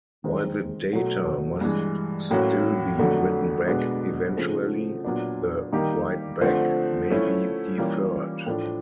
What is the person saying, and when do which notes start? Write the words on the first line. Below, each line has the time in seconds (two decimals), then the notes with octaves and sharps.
While the data must still be written back eventually, the write-back may be deferred.
0.24 D#3 G#3 C4
0.93 B2 F#3 A3
1.61 G2 E3 G#3
2.30 A2 F#3 A#3 C#4 F#4
2.99 F2 D3 F#3 A3
3.67 B2 G#3 B3 D4
4.36 C#3 F3 A3 C4
5.04 A#2 F#3 B3 D4
5.72 D#3 G3 A#3 D#4 G4
6.41 D3 F3 A3 C4
7.10 F3 A3 C#4 E4
7.78 E3 G3 A#3 C#4 F4
8.46 A2 F3 A3 D4